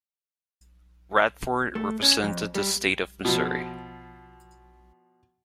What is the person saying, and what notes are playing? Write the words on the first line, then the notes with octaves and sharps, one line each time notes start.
Radford represented the state of Missouri.
A3
C#4
F2
G3
B2 F3